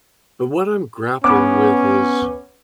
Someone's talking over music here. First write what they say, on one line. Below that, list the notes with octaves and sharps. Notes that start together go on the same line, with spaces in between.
but what I'm grappling with is
B3 C#4 D6